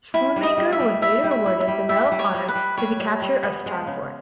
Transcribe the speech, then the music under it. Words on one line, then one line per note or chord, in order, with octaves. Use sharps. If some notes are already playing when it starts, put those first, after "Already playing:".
Schoonmaker was later awarded the Medal of Honor for the capture of Star Fort.
G3 E4
G3
D#5
G3
E5
G3
E4 E5
G3
E5
E4
E5
G3
E4 E5
G3
C#5
G3
B4
G3
G3 C#5
G3
G3
B3
G#3
C#3